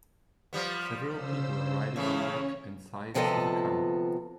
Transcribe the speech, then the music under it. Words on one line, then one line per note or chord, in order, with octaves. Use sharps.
Several people are riding on back and sides of a car.
F3 G3 B3
C#3 C5 E6
A2 C#3 E3 C#4 C#5
D2 C3 F3 B3 A4 D#5